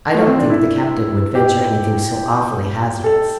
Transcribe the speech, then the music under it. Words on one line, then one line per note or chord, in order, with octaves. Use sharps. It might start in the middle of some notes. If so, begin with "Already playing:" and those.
I don't think the captain would venture anything so awfully hazardous.
A3
C4
D4
E4
G4
A4